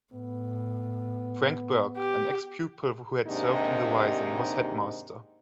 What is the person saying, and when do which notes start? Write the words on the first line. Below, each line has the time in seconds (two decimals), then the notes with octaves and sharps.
Frank Burke, an ex-pupil who had served in the Rising, was headmaster.
0.13 A2 B3
1.97 G4
3.27 D#2 G#2 C3 D4 D#4